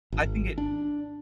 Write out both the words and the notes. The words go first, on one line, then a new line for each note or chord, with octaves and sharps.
I think it
G#1
D4